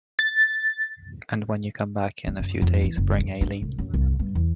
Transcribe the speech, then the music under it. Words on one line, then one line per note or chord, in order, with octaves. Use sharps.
And when you come back in a few days, bring Eileen.
A6
C4
F#2
F2
E3
F#1
F2
D4
C2
F#2
C2
G2
E2